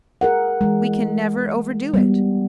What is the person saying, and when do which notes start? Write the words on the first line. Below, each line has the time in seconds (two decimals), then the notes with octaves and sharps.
We can never overdo it.
0.21 G#4 A#4 F#5
0.61 E3 G#3
1.94 G3 B3